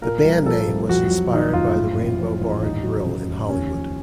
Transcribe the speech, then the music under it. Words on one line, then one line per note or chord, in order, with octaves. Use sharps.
The band name was inspired by the Rainbow Bar and Grill in Hollywood.
A#2 A#4
C2
F3 A4
C2
F2 F#4
F#3
D#3 D#4
F#1 F4
A2
A1
F3
A1
D#2 D#4
F#3
C#3
F1
D#2 C#4
F3